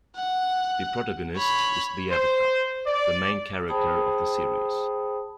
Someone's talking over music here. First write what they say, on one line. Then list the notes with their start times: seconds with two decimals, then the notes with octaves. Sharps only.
The protagonist is the Avatar, the main character of the series.
0.16 F#5
1.36 C#5 B5
2.11 C5
2.86 D5
3.68 G#4 C5 G5 A5 B5 D#6